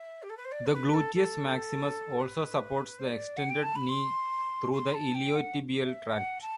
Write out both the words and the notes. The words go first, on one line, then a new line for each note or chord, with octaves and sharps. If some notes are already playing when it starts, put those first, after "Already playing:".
The gluteus maximus also supports the extended knee through the iliotibial tract.
Already playing: E5
G4
A4
B4
C5
D5
A4
B4
A4
A4
B4
C5
D5
F#5
G5
A5
B5
C6
C6
A5
G5
F#5
E5
F#5
A5